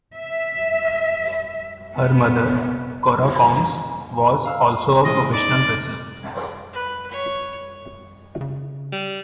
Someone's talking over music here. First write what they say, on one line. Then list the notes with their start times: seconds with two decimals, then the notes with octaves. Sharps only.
Her mother, Cora Combs, was also a professional wrestler.
0.16 E5
1.95 B3
4.45 F5 E6 F6
5.05 A2 C#3 G#3 D#5
5.33 D#4 D5
6.73 B4
7.11 C#5
8.41 C#3
8.92 G3